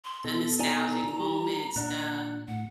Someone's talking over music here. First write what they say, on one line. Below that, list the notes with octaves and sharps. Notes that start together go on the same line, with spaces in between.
the nostalgic moments, the
C6
B2 A4
D#4 D5 G#5 A#5
G3
A#2 D4 F#5
A2 F#5